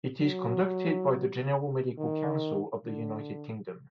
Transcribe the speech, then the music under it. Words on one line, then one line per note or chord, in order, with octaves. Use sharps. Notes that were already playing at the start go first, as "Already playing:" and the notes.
It is conducted by the General Medical Council of the United Kingdom.
F#3
D#3
D3